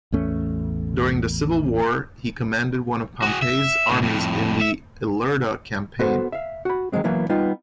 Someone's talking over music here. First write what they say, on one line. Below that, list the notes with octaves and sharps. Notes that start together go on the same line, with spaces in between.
During the civil war he commanded one of Pompey's armies in the Ilerda campaign.
A1 E2 A3 C#4
F#4 G#4
E5
A2 D3
F2 A2
E5
B3 F#4 A4 C5
E5 F5
F#4 B5
D#3 E3 F#3 G#3 C4
E3 F#3 A#3 B3 E4
G3 B3 D#4 F4